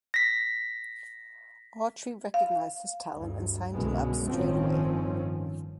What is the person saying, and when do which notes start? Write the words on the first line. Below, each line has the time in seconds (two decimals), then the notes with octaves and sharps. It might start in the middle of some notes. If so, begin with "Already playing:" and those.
Autrey recognized his talent and signed him up straight away.
0.14 A#6 B6
2.34 F5
3.14 D2 G2
3.72 C2 F#2 B2 D3 G#3
4.29 G1 A2 D#3 F3 C4 C#4